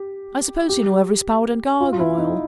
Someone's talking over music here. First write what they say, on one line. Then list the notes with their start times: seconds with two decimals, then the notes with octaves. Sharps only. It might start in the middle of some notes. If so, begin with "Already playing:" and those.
"I suppose you know every spout and gargoyle!"
Already playing: G4
0.69 G4
1.81 F4
1.93 F4
2.00 E4
2.18 D#4